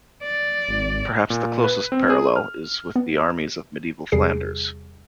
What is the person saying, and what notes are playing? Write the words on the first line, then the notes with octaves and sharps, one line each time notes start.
Perhaps the closest parallel is with the armies of medieval Flanders.
D5
G#1
A#2
B4
C4
G#4
F6
B3
E2 C3 G3 G#4 C7